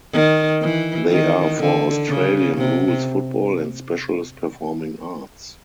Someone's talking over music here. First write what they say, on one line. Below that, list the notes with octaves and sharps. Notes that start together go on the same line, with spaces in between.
They are for Australian rules football and specialist performing arts.
D#3
E3
D#3
D3
C#3
C3